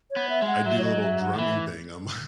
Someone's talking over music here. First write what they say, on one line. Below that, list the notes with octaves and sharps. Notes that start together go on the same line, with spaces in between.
I do the little drumming thing on my
C#5
B3
E5
G#3
F#5
F#3 E5
C#5
D#5
E5
F#5
D#3
E3 E5